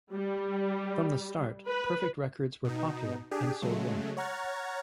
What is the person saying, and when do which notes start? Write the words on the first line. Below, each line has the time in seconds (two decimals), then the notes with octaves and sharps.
From the start, Perfect Records were popular and sold well.
0.12 G3
1.67 B4
2.64 B2 D#4
3.31 D4 G4 G#4
3.62 C#3 F#3 G#3 A3
4.17 C#5 F#5 A#5 F6 G#6 A6